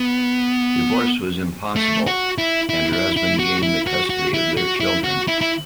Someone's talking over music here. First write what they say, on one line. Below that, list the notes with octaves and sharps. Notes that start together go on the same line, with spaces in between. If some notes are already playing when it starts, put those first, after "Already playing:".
Divorce was impossible and her husband gained the custody of their children.
Already playing: B3
A3
F#4
E4
E4
E4
E4
F#4
E4
F#4
F#4
E4
F#4
E4
F#4
E4
E4